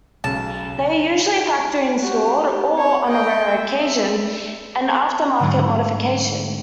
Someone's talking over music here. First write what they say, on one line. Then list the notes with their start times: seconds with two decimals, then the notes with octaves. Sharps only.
They are usually factory-installed or, on rarer occasion, an after-market modification.
0.24 B1 C#3 A5
1.99 F#4 G4
2.42 G4
2.73 C4 C#5
3.05 D#5 G5
3.51 E5
3.80 C4 E5
5.39 G#2 D3 F#3 G#3 A3